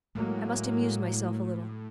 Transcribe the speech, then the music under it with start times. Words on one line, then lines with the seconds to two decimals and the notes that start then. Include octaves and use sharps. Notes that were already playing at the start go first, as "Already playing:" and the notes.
I must amuse myself a little.
0.15 A2 F#3 G#3 A#3